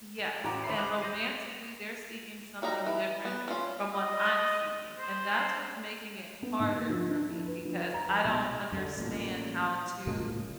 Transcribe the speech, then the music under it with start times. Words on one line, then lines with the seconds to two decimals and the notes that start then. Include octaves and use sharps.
yes. And romantically, they're seeking something different from what I'm seeking. And that's what's making it harder for me because I don't understand how to
0.18 E7
0.44 A1 F#4 G5 A#5 D6
0.64 D#2 C5 E5 B5 C7
0.76 B5 D6 D#6 F#6 F7
1.01 G6 A#6 C7 D#7
2.62 F#3 G3 D#4 A#5
2.86 E3
3.25 B3
3.48 C#4 F4
3.93 D#5
4.97 C5
6.42 B3
6.60 G#2
6.77 A#3
6.89 F3
7.10 D4
7.29 E4
7.46 B4
7.65 F3
7.81 B4
7.94 A#5
8.09 A5
8.24 B1
8.72 F#2 D3
8.98 A1 A#2
10.07 A2 C#3 G#3 A#3